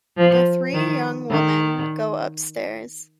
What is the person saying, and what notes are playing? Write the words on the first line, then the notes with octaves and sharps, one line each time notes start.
The three young women go up-stairs.
F3
D#3
D#3